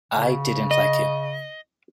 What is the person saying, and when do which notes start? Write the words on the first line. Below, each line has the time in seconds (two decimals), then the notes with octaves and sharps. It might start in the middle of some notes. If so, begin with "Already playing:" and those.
I didn't like him.
0.12 C#3
0.71 D#5